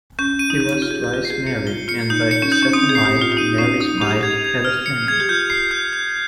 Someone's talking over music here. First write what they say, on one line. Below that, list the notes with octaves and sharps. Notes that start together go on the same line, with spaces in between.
He was twice married, and by his second wife, Mary Smythe, had a family.
C#4 G6
D#7
D#4
G6
G4
F4 D#7
G#4
G4
G6
F4
C7
G#4
G#4 C#7
F4 G7
F4 C#7
D#4 G6
C#7
C#4
D#4 G6
C#4
C4 D#6
G#4
C7
G4
C7
F4
F4
D#4 D#7
C#4 C7
D#4 D#6
G4 F7
G#4
G4 G#6
G#6
F6
C#7
G#4 G#6
G4
F4 G6
C7
G6
G6